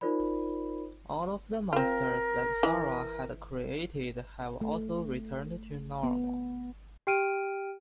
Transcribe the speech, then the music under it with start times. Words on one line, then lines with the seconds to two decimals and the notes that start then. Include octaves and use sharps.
All of the monsters that Sarah had created have also returned to normal.
0.01 D#4 F4 A#4 C5 D5 B5
1.73 C4 F4 A#4
2.63 E3
4.61 A3
6.03 B3
7.07 G4 G5 F6 D7 D#7